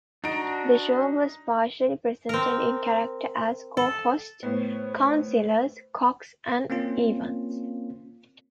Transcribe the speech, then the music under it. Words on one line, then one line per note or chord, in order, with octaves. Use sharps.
The show was partially presented in character as 'co-hosts' Councillors Cox and Evans.
D4 D#4 F#4 A#5 D7
C4 A#4
A4
A2 B3 C5
A#3 C4 C#4 F4